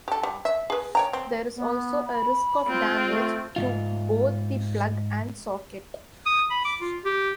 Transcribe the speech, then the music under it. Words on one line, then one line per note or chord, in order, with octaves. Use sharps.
There is also a risk of damage to both the plug and socket.
G4 A4
G3
E5
G#4 B4
C#5 G5 A#5
C4
B3
B5
C4 F4
A3
G#2 D#3 F4
D#6
B5
D6
F4
G4